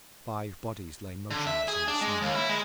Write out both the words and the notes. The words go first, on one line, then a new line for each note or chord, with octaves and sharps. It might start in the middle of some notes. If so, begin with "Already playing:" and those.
Five bodies lay motionless in the snow.
D3
E5
G#4
D4
G#3
D#2
E4
G#3